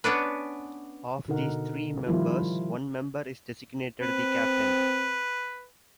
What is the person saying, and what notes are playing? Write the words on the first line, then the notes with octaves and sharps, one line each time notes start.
Of these three members, one member is designated the captain.
B3 C#4 D4 B4
B2 D3 D#4 A#4 F#5
D#3 F3 G3 E4 F4
C4 B4